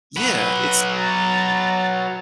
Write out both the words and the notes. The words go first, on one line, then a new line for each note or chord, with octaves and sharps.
Yeah, it's
F#3 B4
A#5 A6